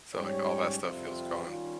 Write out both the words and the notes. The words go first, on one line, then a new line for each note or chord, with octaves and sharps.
So, like, all that stuff feels gone.
G#2 G3 C#4 G4 C#5
F2 C3 G3 C4 F4
D#3 G3 C#4 F4